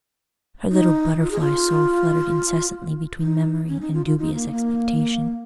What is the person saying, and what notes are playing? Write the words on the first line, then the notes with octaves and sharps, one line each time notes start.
Her little butterfly soul fluttered incessantly between memory and dubious expectation.
D#4
F4
G#4
F4
D#4
C#4
D#4
F4
F4
D#4
A#3
A#3